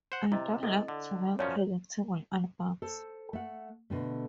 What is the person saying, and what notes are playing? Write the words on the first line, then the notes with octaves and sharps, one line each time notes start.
I don't like to make predictable albums.
C5 F#5
C3 E4 D#5
C3 A4 D#5
D3
F#2 F3 C#4 C#5 D5
A4 C5
A3 F#5
B2 D3 A3